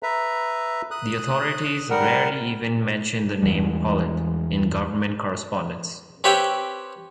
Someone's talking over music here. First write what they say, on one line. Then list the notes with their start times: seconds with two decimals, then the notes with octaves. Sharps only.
The authorities rarely even mentioned the name "Poland" in government correspondence.
0.03 B4 E5 A#5
0.91 D#6 F#6
1.90 G3 A#4 F#5
3.43 E2 E3 G3 G#3
6.24 C4 G4 B4 C#5 E5 G5